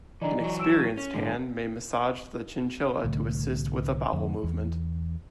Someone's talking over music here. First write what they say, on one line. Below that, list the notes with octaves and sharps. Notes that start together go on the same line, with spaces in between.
An experienced hand may massage the chinchilla to assist with a bowel movement.
D3 E3 D5 D#5 A#5
E3 F#3
E6 D7 E7
D#7
C#4
G#2 D3 G#3
C2 A2 D3 A3
F2 D3
E2